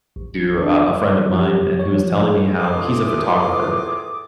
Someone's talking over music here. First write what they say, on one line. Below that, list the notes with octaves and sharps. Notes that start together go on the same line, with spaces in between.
to a a friend of mine, and he was telling me how he's a photographer
A1
D4
C#5
F3
G4
C#5
F3
G#4
E2 A2 E3 F4 D6 D#6